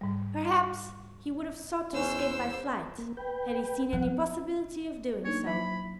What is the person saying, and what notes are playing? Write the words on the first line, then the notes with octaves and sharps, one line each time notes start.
Perhaps he would have sought to escape by flight had he seen any possibility of doing so.
G#2 G3
E2 C#4 C5 E6
A#3
B4 G5
F3 F#5
A#3 D4 D#4 C#5
F#3 E4 E5 B5